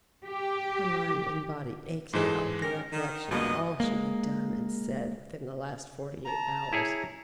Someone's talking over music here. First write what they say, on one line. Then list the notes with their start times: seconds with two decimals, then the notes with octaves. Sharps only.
Her mind and body ached now with the recollection of all she had done and said within the last forty-eight hours.
0.25 G4
2.13 G#2 E3 G#3 A4 C5
2.62 C#4 G4 A#4 A#6
2.91 D#3
3.31 C#2 G2 B2 A#3 D#4 D#5
3.80 G#3 A#3
6.25 A5 A#5
6.73 E4 G#4 C#5